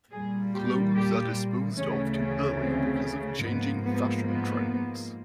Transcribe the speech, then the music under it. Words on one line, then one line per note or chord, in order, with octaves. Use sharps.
Clothes are disposed of too early because of changing fashion trends.
A#2 G3 A#3 G#4
G4
G4
D2 C#3 E3 A3 C#4
C#4
C4
G#2 F3 A#3 B3
B3
B3